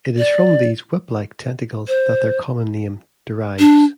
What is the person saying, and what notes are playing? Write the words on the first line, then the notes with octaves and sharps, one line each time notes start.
It is from these 'whip-like' tentacles that their common name derives.
D5
C5
D4